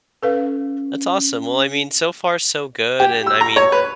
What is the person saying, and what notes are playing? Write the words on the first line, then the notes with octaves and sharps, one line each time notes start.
That's awesome, well, I mean, so far so good, and, I mean,
C#4 A4 B4 F5
G4
E6
A#5
C#5
B4